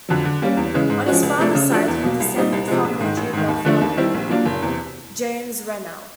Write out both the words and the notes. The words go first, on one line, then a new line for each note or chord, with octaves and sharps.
On his father's side he descended from the geographer James Rennell.
F2 D3 F#3
D3
G3 A#3 C#4
E2
C#3 E3 G#3
G#2
F3 G#3 C#4 F#4
C#2
C3 F3 A3 D4
C#3
F3 A3 D4 F#4
E2
B2 F#3 A#3
C2
A#2 G3 C4 D#4
C2
C3 F3 G#3
A#1
G#2 D#3
A1
G#2 D#3
D#2
D3 F3 A3 D4
D#2
D#3 G3 C4 E4
A#1
A#2 F#3 A#3 D4
F#1
E2 C3